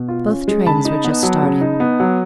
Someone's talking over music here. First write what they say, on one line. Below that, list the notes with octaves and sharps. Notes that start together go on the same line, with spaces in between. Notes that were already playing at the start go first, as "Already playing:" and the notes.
Both trains were just starting.
Already playing: B2
F4
C#4
G#3
C#3 A5 B5
D#4
B3
F#3
C#3
D#4
B3
F#3